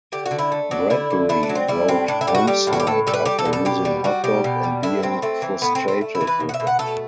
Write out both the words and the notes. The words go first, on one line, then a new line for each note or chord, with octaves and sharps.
Bradbury wrote HomeSite after using HotDog and being frustrated with it.
D3 G4
F#4
D3
E4
A3
F#3 D4
D3 E4
D3
A3 E4
D4
F#3
C4
G3 E4
A2 C4
A2 D4
E4
G3 G4
F#4
G3 G4
A2
F#4
G4
A2 A4
G3 A4
B4
G3 G4
A4
B2
A4
B2 G4
G3
G3 F#4
B2 G4
B2
G3
A2 E4
A2 C4
A3 C4
E3
A2 B3
C4
A2
C4
A3
E4
E3
B4
B2
F#5
E5
B2
F#5
A3 A4